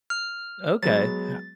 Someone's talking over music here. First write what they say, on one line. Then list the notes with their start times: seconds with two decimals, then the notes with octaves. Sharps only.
Okay, ho
0.10 F6
0.83 F#3 G#3 B3 A6